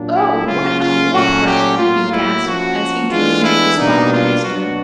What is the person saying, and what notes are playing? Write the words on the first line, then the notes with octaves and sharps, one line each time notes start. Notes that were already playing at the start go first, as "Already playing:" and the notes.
"Oh! what a whopper!" he gasped, as he drew near the spot where they stood.
Already playing: A#2 F#3 A#3 D4
E4
C#3 F#3 A#3 C#4 F4
F4
A#2 F#3 A3 C#4 F#4
G4
A2 F#3 A#3 F4
E4
F3 A#3 C#4 F#4
E3 G#3 B3 D4 F4
E4
B2 G3 A#3 D4 D#4
F4
B2 F#3 B3 D4 F#4